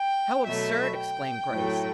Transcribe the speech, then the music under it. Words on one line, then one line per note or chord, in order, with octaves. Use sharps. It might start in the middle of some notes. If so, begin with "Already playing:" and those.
"How absurd!" exclaimed Grace.
Already playing: G5
B2 F#3 A3 E5
G5
A2 F#3 A3